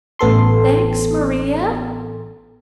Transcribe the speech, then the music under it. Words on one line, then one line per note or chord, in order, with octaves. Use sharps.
"Thanks, Maria."
A1 B3 A4 C6